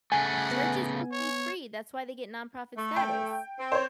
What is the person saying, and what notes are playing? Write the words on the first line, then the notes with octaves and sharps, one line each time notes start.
Church is supposed to be free. That's why they get nonprofit status.
C#3 A3 F#5 G#5
B3
C#5
A3
G5
C4
C5 C#5